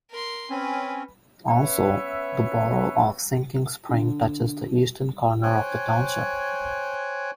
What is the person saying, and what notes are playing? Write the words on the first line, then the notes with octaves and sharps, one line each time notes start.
Also, the borough of Sinking Spring touches the eastern corner of the township.
A#4 C6
C4 C#4 B4
B3 C#4 B4 C#5 E5
D3
C5 C#5 G5 G#5 F#6